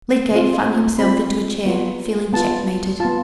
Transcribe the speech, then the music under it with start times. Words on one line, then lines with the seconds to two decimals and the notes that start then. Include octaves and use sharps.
Lydgate flung himself into a chair, feeling checkmated.
0.32 C4 F4
0.99 C4 F4 B5
1.66 B3 F4
2.33 B3 F4 A5
3.00 B3 F4 A5